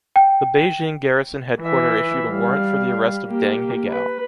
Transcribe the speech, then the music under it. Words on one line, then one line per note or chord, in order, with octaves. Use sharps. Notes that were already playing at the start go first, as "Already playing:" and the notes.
The Beijing Garrison headquarter issued a warrant for the arrest of Deng Hegao.
G5
E3 E5
G3 F5
A#3 G4
B4